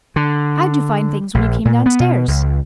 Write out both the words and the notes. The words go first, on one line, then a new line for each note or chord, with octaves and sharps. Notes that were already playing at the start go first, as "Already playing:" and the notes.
How'd you find things when you came downstairs?
D3
A#1
A#2
B3
B2
C#2